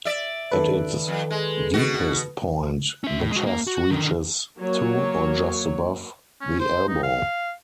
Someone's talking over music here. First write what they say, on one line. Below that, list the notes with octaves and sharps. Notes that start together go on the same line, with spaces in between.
At its deepest point the chest reaches to, or just above, the elbow.
D5 E5
D#3 A4 B4
F2
G#3
B2 F#4
C#4 E5
A2
G#3 F#4
A#3
F#4
D3 D#3
F#3 A#3 C#5
C#4
C5
D#4
F5